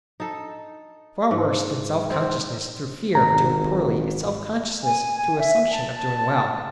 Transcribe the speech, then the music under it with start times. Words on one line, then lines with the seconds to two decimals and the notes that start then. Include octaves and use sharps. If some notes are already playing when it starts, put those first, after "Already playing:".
Far worse than self-consciousness through fear of doing poorly is self-consciousness through assumption of doing well.
0.20 D#4 A4
1.31 G#2
2.11 C4
3.15 G#1 A#5
4.83 G#5
5.39 E5
5.72 A5